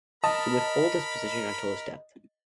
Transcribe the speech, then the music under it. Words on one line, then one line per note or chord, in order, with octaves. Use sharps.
He would hold this position until his death.
A#4 D#5 A5 B5